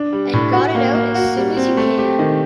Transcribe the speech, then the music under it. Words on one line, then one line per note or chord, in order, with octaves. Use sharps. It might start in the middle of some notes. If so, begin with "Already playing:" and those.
And got it out as soon as you can.
Already playing: D4
G3
A2
F#4
A#3
A#3
F#4
G3
C4
A3
G4
D#3